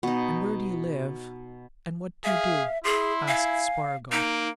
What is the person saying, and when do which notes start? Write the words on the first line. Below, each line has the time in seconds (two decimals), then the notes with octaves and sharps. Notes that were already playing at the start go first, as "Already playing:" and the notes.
"And where do you live, and what do you do?" asked Spargo.
0.03 B2 D#4
2.25 G#4 E5 F5
2.84 E4 G#4 C6
3.28 F5 G#5
4.12 A#3 D#4 D7